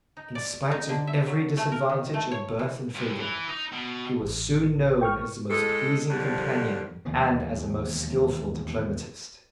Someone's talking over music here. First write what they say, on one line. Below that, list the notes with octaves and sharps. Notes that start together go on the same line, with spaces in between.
In spite of every disadvantage of birth and figure he was soon known as a most pleasing companion and as a most skilful diplomatist.
D#4
D5
D#4
D3
E5
F#3
A3
A#4
D#3
A3
C#5
E3
C2
E3
D#4
B2
A1
G5 C#6 F6
A2 G#3 A4
F2 A2 D3 D#3 F3 G3
E1 D#2 D#3 F3